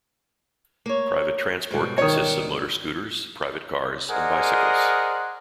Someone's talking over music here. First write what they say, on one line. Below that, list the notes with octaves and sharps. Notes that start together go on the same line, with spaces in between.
Private transport consists of motor scooters, private cars, and bicycles.
A#3 C#5
G#2 B2 G3
D#3 C#5
G#4 A#4 C5 D5 D#5 F#5